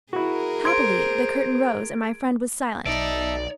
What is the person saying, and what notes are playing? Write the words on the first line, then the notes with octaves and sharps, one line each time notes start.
Happily, the curtain rose and my friend was silent.
E4 F#4 G#4 A#4
C5 C6 G#6 D7
B1 D#4 D5 E5 A5 E6